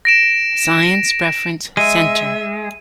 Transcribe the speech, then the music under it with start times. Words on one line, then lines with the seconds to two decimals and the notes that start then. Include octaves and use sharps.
Science Reference Center.
0.05 A#6 D7 E7
1.77 G#3 E5 D#7